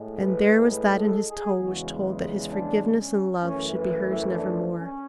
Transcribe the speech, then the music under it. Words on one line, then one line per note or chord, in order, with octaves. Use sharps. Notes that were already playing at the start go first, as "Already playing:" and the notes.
And there was that in his tone which told that his forgiveness and love should be hers nevermore.
Already playing: A2 G#3
B4
B4
A4
G#4
E2 C#3 G#3 F#4
D4
C#4
F#2 E3 A3 C#4
B4
E4
D4
C#4